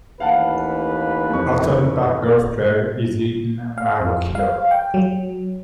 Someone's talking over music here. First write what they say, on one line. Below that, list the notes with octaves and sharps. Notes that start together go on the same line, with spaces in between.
Horton Park Golf Club is in Maroochydore.
A1 D#2 B4 F5 F#5 A5
F2 C#6
F5
F2
F5
G5
F#3